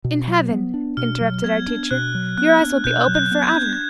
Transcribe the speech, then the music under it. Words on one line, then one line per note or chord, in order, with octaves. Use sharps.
"In Heaven," interrupted our teacher, "your eyes will be open forever."
B2
F#3
B3
D4
B2 F6
F#3
B3 G#6
D4
B2 F#6
F#3
B3 F#6
D4
B2 G6
F#3
G6
B3
G#6
G6
D4
G#6